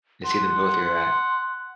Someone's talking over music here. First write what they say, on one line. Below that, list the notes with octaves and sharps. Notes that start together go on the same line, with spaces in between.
And to see them go through that.
F#5 C6